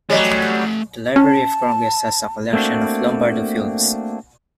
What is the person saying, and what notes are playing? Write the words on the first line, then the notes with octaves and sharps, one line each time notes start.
The Library of Congress has a collection of Lombardo films.
F#3 G3 A3 C#5 D#5 G#5
C#4 A5
A3 A#3 C4 D4 F#4